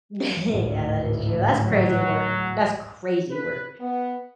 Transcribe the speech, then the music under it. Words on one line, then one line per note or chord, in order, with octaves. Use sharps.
Yeah, that is true, that's crazy work. That's crazy work.
G#1 D2 A2
F#3
B4
B3